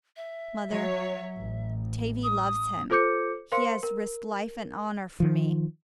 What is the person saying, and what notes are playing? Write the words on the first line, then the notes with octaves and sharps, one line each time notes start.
Mother, Tavie loves him, he has risked life and honor for me.
E5
F#3 C#5
A1
D#6
F4 A4 C5 D6 G6 C#7
A#4 C5 F5 C6 C#7
A#4
D#3 F3